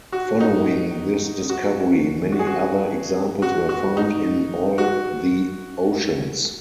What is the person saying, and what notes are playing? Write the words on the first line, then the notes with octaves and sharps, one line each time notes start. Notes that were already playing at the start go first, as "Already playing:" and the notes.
Following this discovery many other examples were found in all the oceans.
F#4
D#4
F#4
F#4
G#4
F#4
F#4
F#4
D#4
F#4